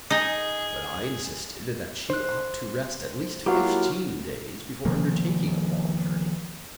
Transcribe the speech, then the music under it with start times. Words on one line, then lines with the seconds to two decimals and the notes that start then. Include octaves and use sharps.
But I insisted that she ought to rest at least fifteen days before undertaking a long journey.
0.10 D#4 G#4 D#5
2.10 C5 F#6
3.46 F#3 A#3 E4 F4 G4 C#5
4.85 C3 D#3 F3 A#3